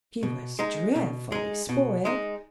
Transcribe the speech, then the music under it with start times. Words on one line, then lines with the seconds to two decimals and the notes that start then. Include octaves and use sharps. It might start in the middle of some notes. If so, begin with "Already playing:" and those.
She was dreadfully spoiled.
0.23 B2
0.59 G#3 D#4
0.95 B2
1.32 G#3 D#4
1.69 B2
2.05 G#3 D#4